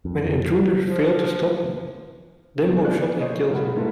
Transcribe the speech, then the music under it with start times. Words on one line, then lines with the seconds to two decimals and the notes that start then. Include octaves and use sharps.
When the intruder failed to stop, Dembo shot and killed him.
0.05 F2
0.88 F3
2.64 B2 C4
2.84 A#1 F3 A#4 D5 F#6
3.20 C5 C#5 D#5
3.51 B1 G#3 A#4 F#5 B5
3.76 G#2 A3 E4 F4 A4 B4